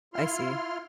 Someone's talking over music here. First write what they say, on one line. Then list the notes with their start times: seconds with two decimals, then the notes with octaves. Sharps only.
I see.
0.14 E4 F4 C6 F6